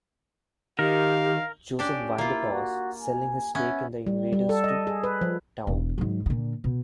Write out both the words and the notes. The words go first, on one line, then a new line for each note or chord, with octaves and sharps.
Joseph won the toss, selling his stake in the Invaders to Taube.
D#3 G4 A#4 F5
C#4 D4 G4 D5
A#3 E4 F4
F#4
G#5
B3 C#4 E5
G3
G3
A4
D#5
G#4
B4
F3
E1
G#2 F#3
A#2 D3
B2